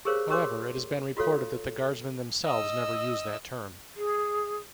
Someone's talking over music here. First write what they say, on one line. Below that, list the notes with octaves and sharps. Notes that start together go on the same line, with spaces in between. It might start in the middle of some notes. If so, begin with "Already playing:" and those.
However, it has been reported that the guardsmen themselves never use that term.
G4 G#4 A#4 C5 C#5 F5
G4 A#4 C#5 C6 D6
F4 F#4 A4 C#5 F5
D#5 E6
G#4